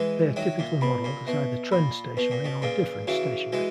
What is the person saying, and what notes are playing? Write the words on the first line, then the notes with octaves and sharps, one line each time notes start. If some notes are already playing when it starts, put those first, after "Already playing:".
They are typically modelled as either trend stationary or difference stationary.
Already playing: E3 G#3 B4
D#3 F#3 E5
A#2
B2 B5
A#2
B2 E5
A#2 B5
B2 B4
A#2
B2
A#2 C#3 B4
C#3 E3 F#4
E3 G#3 F#4